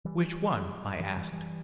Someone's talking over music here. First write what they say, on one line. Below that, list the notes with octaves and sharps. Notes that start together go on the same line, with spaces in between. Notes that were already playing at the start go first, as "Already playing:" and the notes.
"Which one?" I asked.
E3 G3
E3 G3
E3 G3
E3 G3